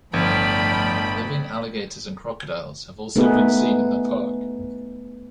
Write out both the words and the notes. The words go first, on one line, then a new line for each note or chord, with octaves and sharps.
Living alligators and crocodiles have also been seen in the park.
G1 A2 F3 D5 G5 B5
A3 B3 D#4 G#4 B4